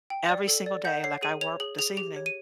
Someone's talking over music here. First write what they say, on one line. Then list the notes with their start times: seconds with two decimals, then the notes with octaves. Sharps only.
every single day, like, I worked this evening,
0.10 G5
0.29 D5
0.48 A4
0.66 D5
0.85 F#5 G6
1.04 C#5 C7
1.22 G#4 D#7
1.41 C#5 F7
1.60 G#4 F#7
1.78 G#4 F7
1.97 G4 F7
2.16 C#5
2.26 D#7